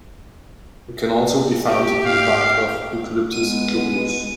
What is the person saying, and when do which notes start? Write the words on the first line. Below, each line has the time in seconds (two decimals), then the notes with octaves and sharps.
It can also be found in the bark of "Eucalyptus globulus".
1.64 G#2 G4
2.06 F5
3.32 G#3 B3 D#7